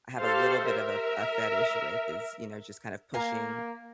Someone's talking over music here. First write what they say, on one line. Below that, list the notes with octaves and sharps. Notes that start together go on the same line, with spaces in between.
I have a little bit of a a fetish with is, you know, just kind of pushing
G4 A4 C5 F5
A#4 E5
A#3 F5 G#5 A#5